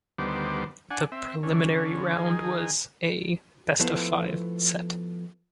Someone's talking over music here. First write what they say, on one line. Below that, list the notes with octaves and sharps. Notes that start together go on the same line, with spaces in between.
The Preliminary Round was a best-of-five set.
D2 D#3 G3 B3 C5 D6
D4 F#5 G#5
C4 E5
D3 C#4
D#3 G#4
F3 A3 B3 E4 C5